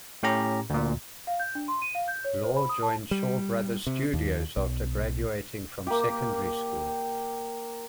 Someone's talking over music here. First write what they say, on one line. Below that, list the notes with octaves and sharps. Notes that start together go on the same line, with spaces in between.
Lau joined Shaw Brothers Studios after graduating from secondary school.
A2 C#4 G4 A#5
D2 A#2
F5
G6
D4
C6
D#7
F5
G6
C#5
C5
B5
D#6
A5
G3
C3
D#2
B1
A#3 G4